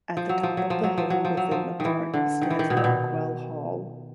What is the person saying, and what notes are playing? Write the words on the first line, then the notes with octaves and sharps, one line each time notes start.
At the top of the hill within the park stands Brockwell Hall.
F3
F#3
F3
F#3
F3
F#3
F3
F#3
F3
F#3
F3
D#3
E3
D3
D#3
E3
D#3
B2
A#2
B2